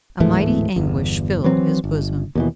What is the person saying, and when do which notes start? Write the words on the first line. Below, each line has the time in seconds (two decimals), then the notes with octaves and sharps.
A mighty anguish filled his bosom.
0.20 D1 G#2 E3 A3
0.76 G1 E2
1.44 E3 F#3 C4
1.84 G1
2.35 D#2 B2 E3